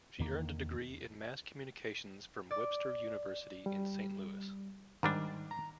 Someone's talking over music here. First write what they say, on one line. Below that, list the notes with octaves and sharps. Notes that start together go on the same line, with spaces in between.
She earned a degree in Mass Communications from Webster University in Saint Louis.
E2 D3 D#3 A#3
D5
G3
G#2 D#3 G3 D4
A#5